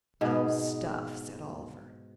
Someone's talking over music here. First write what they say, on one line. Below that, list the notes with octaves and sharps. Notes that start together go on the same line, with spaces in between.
"Oh, stuff!" said Oliver.
G#2 B2 G#4